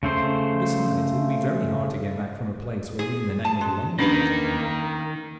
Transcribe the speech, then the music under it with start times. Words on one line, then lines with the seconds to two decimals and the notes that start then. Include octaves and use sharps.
And, besides, it would be very hard to get back from a place where even the name of London was unknown.
0.03 C#3 A3 C5 C6
2.99 G#4
3.45 A5
3.61 G#3
3.99 D#3 A#3 C#4 D4 B4